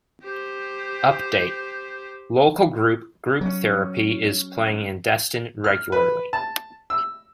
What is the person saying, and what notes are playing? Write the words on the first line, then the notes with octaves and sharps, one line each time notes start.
Update: Local group Group Therapy is playing in Destin regularly.
G4 C5
F#3 C#4
F6
B4
A5
E6